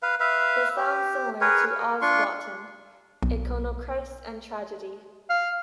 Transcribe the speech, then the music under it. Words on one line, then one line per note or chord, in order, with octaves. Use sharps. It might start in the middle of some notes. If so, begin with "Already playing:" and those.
They sound similar to Aus Rotten, Econochrist and Tragedy.
B4 F5
B4 E5 F5
G4
G#4 A#4 B4 C#5
A#4
D4 F4 C6 C#6
B1
F5